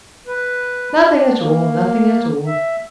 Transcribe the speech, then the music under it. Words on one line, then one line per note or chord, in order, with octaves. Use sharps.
"Nothing at all,--nothing at all."
B4
D4
A#3
E5